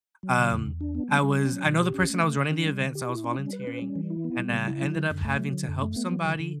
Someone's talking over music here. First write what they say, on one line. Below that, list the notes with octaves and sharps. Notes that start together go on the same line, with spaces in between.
um, I was I know the person that was running the event, so I was volunteering, and, uh, ended up having to help somebody
F#3
C#3
E2
E2
D4
B3
G3
G3
C#4
F#3
B2
G4
C#4
A3
D3
D3
D4
G3
D3
G4
E4
C#4
G3
B4
C#4
G3
E3
E4
B3
G3
C#3
E4
F#3
D3
F#2
A3
F#3
D3
F#2
A3
B3
F#3
D3
D3